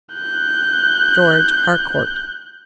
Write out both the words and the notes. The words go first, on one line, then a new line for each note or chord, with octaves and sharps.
George Harcourt.
F#6 G6